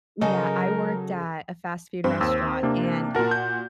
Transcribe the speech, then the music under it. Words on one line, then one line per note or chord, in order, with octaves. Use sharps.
yeah, I worked at a fast food restaurant, and
C#3 F#3 D#4 A4 A#4 D#5
G2 C4
D#2 E6
C3 A#3 D4
A#2 F#4 A#4 A5
G6